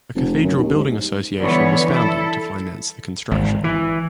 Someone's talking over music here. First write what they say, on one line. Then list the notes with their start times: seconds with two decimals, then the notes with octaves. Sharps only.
A cathedral building association was founded to finance the construction.
0.15 F1
0.43 F#2
0.57 D#2
0.75 G#2
1.39 D3 E3 G3 B3 C#5
1.88 E4 A4
3.31 G#1
3.64 E3